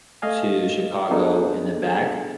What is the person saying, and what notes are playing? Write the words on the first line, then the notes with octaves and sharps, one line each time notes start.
to Chicago and then back,
A3 D#5 F5 G#5
B3 D4 D#4 G#4 A4